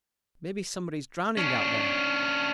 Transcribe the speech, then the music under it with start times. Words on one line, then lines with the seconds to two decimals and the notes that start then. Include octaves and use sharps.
Maybe somebody is drowning out there.
1.37 C#4 D4